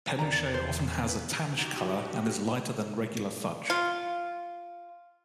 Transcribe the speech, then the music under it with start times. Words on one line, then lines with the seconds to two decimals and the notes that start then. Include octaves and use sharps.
Penuche often has a tannish color, and is lighter than regular fudge.
0.19 E2 A#4 D5 A#5
0.54 C5
1.08 B4
1.58 D#4 F#4 G4
3.70 F4